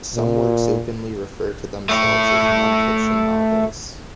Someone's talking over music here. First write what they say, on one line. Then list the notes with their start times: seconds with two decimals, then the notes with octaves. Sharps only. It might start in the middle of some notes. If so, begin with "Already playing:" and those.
Some works openly refer to themselves as 'nonfiction novels.
0.15 A#2
1.89 A3 C#5